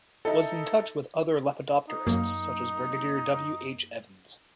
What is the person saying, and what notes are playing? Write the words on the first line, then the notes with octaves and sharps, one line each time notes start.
Was in touch with other lepidopterists such as Brigadier W. H. Evans.
D#4 E4 A4
D#4
F#2 A#3